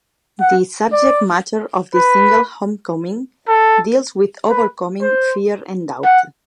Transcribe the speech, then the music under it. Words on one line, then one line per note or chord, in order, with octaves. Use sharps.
The subject matter of the single "Homecoming" deals with overcoming fear and doubt.
F#5
D5
B4
A4
B4
C5
F#5